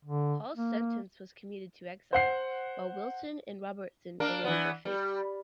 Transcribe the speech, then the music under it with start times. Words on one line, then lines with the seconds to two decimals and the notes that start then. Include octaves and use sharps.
Hall's sentence was commuted to exile, while Wilson and Robertson awaited their fate.
0.05 D3
0.56 A#3
2.13 C5 F#5 C7
4.20 A#3 D4 A#4
4.44 E3 B3
4.85 G3